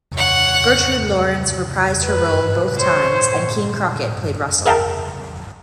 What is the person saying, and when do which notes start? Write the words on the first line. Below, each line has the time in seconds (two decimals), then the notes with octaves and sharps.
Gertrude Lawrence reprised her role both times and Keene Crockett played Russell.
0.15 C#5 F#5
2.04 B4
2.78 C5 C#5
4.66 G#4 A#4 E5 F5 G5 A5